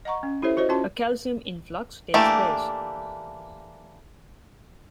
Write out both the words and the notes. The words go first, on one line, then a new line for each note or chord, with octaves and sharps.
A calcium influx takes place.
D#5 F#5 A#5 C#6
C#4
E4 G4 A4 C5 C#5 E5
F#4 C5 C#5 D#5
C#4 F4 F#4 A5 C6
E3 A3 A#3 D4 G4